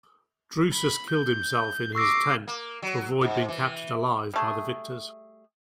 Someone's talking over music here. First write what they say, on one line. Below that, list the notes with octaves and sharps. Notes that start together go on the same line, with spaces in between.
Drusus killed himself in his tent to avoid being captured alive by the victors.
B5
G6
C#6 D6 E6 A#6 C7
A#3
F#3
G#2
E3
G3 A3 G#4